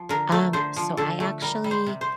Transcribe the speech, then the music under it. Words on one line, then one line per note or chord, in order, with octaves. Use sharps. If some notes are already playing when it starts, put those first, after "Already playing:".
Um, so I actually,
Already playing: F3
D3 A#4
A3
D3 C5
F3
D3 A4
A3
G3 A#4
G3
C5
C3
C5